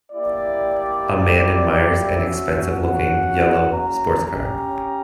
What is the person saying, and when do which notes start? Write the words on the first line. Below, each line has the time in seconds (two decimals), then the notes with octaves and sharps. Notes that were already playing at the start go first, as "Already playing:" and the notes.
A man admires an expensive looking, yellow, sports car.
0.11 A#3 E4 G4 D5
2.16 A#3 C#4 F#4 E5
2.68 F#5
3.72 A#5
4.23 C#4 G4 A#5